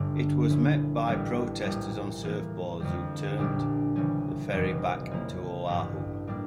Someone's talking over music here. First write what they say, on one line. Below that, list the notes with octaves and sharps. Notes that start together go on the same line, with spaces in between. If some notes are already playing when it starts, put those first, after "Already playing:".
It was met by protesters on surfboards who turned the ferry back to Oahu.
Already playing: G1 G2 D3
A#2 F3 C#4 E4
A1 A2 G3
A#1 A2 G3
A2 E3 A#3
F2 D3 G3
A#1 A#2 G3 D4
C#3 E3 G3 C#4
F1 F2 E3
C#3 F3 A#3 E4
A1 G2 F3
A2 G3 A#3 D4